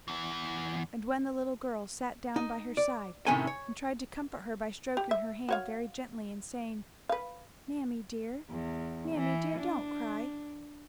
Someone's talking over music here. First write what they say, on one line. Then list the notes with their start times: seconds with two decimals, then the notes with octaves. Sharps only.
And when the little girl sat down by her side, and tried to comfort her by stroking her hand very gently, and saying, 'Mammie dear, mammie dear, don't cry!
0.08 E2 E3
2.36 D#4
2.77 D5
3.27 A2 C3 D#3 C#4 A4 G#5
3.47 C#5
4.97 G4
5.11 E5
5.49 F#4 C#5 F5
7.09 B4 F5
8.50 E2
9.14 E3
9.59 D4